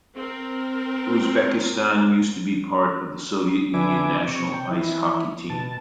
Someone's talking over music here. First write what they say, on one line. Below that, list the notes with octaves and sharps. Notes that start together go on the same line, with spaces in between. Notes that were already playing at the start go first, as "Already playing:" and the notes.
Uzbekistan used to be part of the Soviet Union national ice hockey team.
C4 A#4
D3 D4 B4 E5 G#5 D6
C3 C#6
G5
E3 E4
B2 A5